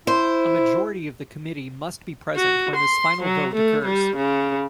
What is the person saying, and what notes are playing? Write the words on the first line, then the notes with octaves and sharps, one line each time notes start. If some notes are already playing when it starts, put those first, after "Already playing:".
A majority of the committee must be present when this final vote occurs.
E4 C5
F#4
C6
F#3
A3
G3
C#3